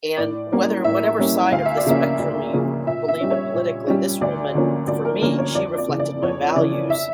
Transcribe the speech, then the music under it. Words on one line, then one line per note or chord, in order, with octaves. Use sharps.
And whether whatever side of the spectrum you believe in politically, this woman for me, she reflected my values.
A2 D5
G3 A#3 C#4
A2 E5
G3 A#3 C#4
D2 F5
E5
D5
C#3 F3 A#3 C#4 E5
D2
C#3 F3 A#3 C#4
A#2 E5
E5
G3 C#4
C#5
A#2
G3 C#4
D2 D5
D3 F3 A#3 C#4
D2 D5
A#4
D3 F3 A#3 C#4 A#4
C#5
F2 D5
D5
C#3 E3
D5
F2 C#5
C#3 E3 D5
E5